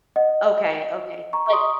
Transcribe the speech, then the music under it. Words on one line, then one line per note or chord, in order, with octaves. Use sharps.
okay, okay. Like
D#5 F#5
A#5 C#6
C#6
C6 D#6